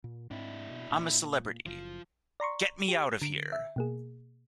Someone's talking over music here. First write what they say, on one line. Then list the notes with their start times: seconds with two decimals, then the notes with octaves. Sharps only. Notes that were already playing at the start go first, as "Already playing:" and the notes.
I'm a Celebrity...Get Me Out of Here!
0.04 A#2
0.31 G#2 C4 D4 E4
0.70 B2
0.91 A#2
1.66 F#1 F3 F4
2.40 D5 A#5 C6 C#6
2.88 G4
3.22 D3 D7
3.52 E5
3.76 B2 A#3 G#4